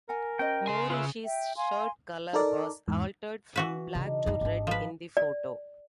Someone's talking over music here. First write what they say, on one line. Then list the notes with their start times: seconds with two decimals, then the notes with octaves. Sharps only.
Morrissey's shirt colour was altered from black to red in the photo.
0.09 A#4 F#5 G#5
0.39 C#4 C5 D#5 G5
0.67 C#3 G#5 C6
0.90 F4 B4 E5
1.24 E5 G5
1.56 F5 G#5 C6
2.33 D#4 A4 A#4 D5
2.88 E2 G#2
3.56 E3 F#4 B4
3.95 C#3 D4 D#4
4.26 F#2 D#4 D#5 F5 A#5
4.41 G#1 D4 G4 A5
4.67 F3 B4
5.17 D5